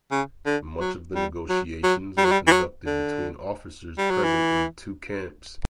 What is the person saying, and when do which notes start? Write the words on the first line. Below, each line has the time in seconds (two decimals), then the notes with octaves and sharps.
Much of the negotiations were conducted between officers present in the two camps.
0.12 C#3
0.46 D3
0.81 F#3
1.15 G3
1.50 F#3
1.84 F#3
2.18 G3
2.25 F#3
2.32 G3
2.47 E3
2.52 F#3
2.87 D3
3.98 G3
4.11 F#3
4.23 E3